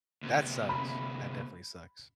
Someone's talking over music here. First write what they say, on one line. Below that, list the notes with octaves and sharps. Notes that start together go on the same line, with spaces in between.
That sucks. That definitely sucks.
D2 C3
B5